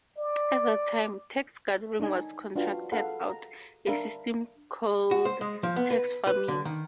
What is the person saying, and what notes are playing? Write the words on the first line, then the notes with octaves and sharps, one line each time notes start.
At that time, tax-gathering was contracted out, a system called tax farming.
D5
D4 D#4 G#5
D4 F4 F#4 B4 F5 G5
D4 G#4 A4 F5 F#5 B5
A#5
D4 A#4 D5 E5 F5 B5
F#4
C5
G#3
F3
B3
B4
B4
D3
D#3